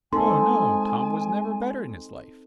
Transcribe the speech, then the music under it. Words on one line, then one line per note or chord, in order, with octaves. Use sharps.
"No, no, Tom was never better in his life."
G#3 C4 D#4 A4 G#5 C6